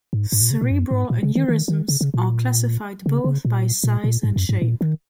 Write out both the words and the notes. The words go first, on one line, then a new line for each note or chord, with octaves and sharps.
Cerebral aneurysms are classified both by size and shape.
G#2
G#2
A#2
C#3
A#2
F#2
G#2
A#2
C#3
D#3
D#3
D#3
C#3
C#3
A#2
C#3
C#3
A#2
A#2
A#2
G#2
F#2
G#2
A#2
D#3